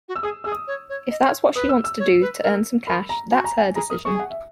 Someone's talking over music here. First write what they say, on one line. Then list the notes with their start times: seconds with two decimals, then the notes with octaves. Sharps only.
If that's what she wants to do to earn some cash that's her decision.
0.09 F#4
0.16 E6
0.22 G#4 D#6
0.44 G#4 E6
0.52 D#6
0.67 C#5
0.89 C#5
1.11 D#5
1.26 C#5
1.55 B4 D#6
1.69 E6
1.84 E6
1.99 C#5
2.21 B4
2.43 A#4
2.87 A#4 B5
3.09 A#5
3.31 F#4 G#5
3.44 A#5
3.58 G#5
3.75 G#4 A#5
3.90 A#4 D#6
4.05 G#4 C#6
4.15 G#5
4.19 F#5
4.30 E5